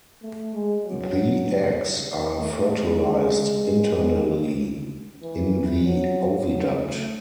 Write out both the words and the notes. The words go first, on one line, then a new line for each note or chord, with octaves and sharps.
The eggs are fertilised internally in the oviduct.
A3
G#3
F#3
A3
G#3
E3
F#3
F#3
A3